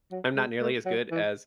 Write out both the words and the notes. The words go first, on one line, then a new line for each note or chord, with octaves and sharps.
I'm not nearly as good as
F#3
G#3
A3
F#3
E3